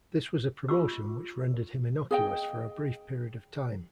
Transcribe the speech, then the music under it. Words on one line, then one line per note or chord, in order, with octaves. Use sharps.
This was a promotion which rendered him innocuous for a brief period of time.
F4 C#6 D6 E6
G#4 D#5 G5